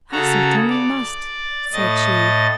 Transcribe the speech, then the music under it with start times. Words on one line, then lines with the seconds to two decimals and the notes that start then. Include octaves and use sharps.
"I certainly must," said she.
0.12 C#3 F#4 A4 A#5
0.69 D5
1.73 A2 D#5 A6